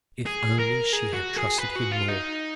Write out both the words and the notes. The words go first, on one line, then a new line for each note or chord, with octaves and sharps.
If only she had trusted him more!
G#4
A#4
G#4
F#4
G#4
B4
F#4
F4
D#4